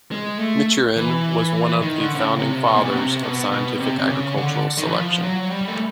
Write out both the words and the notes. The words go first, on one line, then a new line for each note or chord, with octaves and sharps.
Michurin was one of the founding fathers of scientific agricultural selection.
G#3
A3
E3
D#3
D3
C3
C#3
C3
B2
A#2
B2
C3
B2
B2
C3
C3
C#3
D3
D#3
E3
F3
F#3
G3
A3